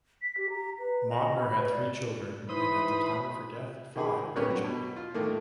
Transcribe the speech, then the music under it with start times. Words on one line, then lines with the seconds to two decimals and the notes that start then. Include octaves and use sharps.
Mautner had three children and at the time of her death five grandchildren.
0.22 B6
0.37 G4
0.50 A#5
0.79 B4
1.08 D#5
1.41 B5
1.57 B4
1.71 D5
2.49 E3 D#4 E4 C5 B5 D#6
3.96 D#3 G#4 B5
4.36 D3 G3 C4 A#4 B4 C#5
4.50 F#3
4.64 B2
4.96 F4
5.14 A2 D#3 A3 A#3